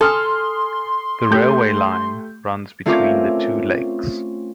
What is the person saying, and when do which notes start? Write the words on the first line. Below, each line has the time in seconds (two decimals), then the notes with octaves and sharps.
The railway line runs between the two lakes.
0.01 A4 G#5 C6 D#6 F6
1.31 A3 G4 G6
2.86 A3 C4 C#4 F4 A#4 D6